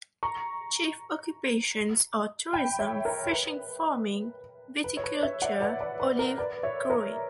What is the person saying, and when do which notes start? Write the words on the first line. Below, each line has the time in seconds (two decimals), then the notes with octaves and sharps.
Chief occupations aretourism, fishing farming, viticulture, olive growing.
0.23 A#5 C#6
2.53 G5 B5
2.79 C#5 E5
3.05 A#4 C#5
3.26 C#5
3.31 B4
4.84 B4
4.97 C#5
5.04 B4
5.23 C#5 E5
5.42 D5 F#5
5.61 B4 D5
5.80 B4 D5
6.00 B4
6.19 A#4
6.38 B4 D5
6.63 C#5 E5
6.89 A#4 C#5